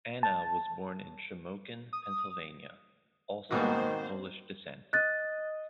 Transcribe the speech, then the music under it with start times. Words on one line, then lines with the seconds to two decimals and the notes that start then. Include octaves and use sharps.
Anna was born in Shamokin, Pennsylvania, also of Polish descent.
0.23 A5
1.93 D#6
3.51 G#2 B2 D#3 A#3 C4 F#4 C5
4.93 D#5 F#6 A6